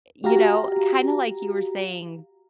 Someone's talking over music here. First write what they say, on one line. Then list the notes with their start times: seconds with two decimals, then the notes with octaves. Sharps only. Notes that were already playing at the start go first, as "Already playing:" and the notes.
you know, kinda like you were saying
0.24 F#4 G4 F5 A#5